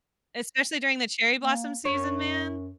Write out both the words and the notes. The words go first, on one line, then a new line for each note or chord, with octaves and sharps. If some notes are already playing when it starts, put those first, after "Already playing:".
Especially during the cherry blossom season, man.
A#3
F#2 C#5